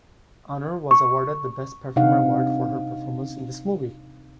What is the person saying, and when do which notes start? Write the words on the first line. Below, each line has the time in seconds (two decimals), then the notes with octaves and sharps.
Aunor was awarded the Best Performer award for her performance in this movie.
0.91 C#6
1.96 C3 C4 D4 D#4 F5 F#5